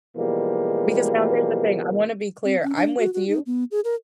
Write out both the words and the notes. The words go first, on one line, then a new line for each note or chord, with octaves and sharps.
Because now here's the thing, I wanna be clear, I'm with you.
B2 E3 F3 G3 G#3 A#3
C4
C#4
D4
F#4
F#4
D#4
B3
G#4
A#4